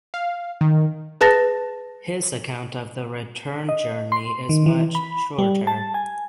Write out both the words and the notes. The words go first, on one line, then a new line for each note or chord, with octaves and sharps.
His account of the return journey is much shorter.
F5
D#3
G#4 B4 A5 A6 A#6
D#5
C6
D#3
E3
B5
G3
A5
G#5